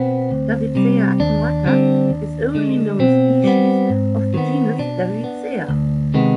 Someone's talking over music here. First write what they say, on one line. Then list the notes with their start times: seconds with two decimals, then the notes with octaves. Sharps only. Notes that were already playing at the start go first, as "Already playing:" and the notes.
"Davidsea attenuata" is only known species of the genus Davidsea.
Already playing: B2 B3 C4
0.31 D2
0.75 C3 G3
1.19 D#2 D4
1.65 D3 G3 C4
2.10 D#2
2.55 D3 G#3
2.99 B2 C4
3.44 G3 B3
3.90 G#2
4.34 D#3 B3
4.79 B2 D4
5.24 B3
5.69 D2
6.14 C3 D#3 G#3 B3